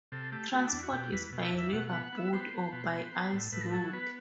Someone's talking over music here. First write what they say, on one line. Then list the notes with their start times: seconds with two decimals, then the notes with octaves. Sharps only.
Transport is by river boat or by ice road.
0.12 C3 A4
0.32 A3 G4
0.53 A3 F#4
0.68 E2 D4
0.83 F#4
0.92 B2
0.97 G4
1.12 E2 B4
1.33 B2
1.42 E5
1.53 E2
1.58 E5
1.73 B2 F#5
1.87 F#5
1.93 B3
2.03 F#5
2.13 B3 E5
2.33 B3 C5
2.53 B3
2.73 B2
2.93 B3
3.13 B3
3.33 A2
3.52 A2 B4
3.73 F#3 A4
3.93 B3 B4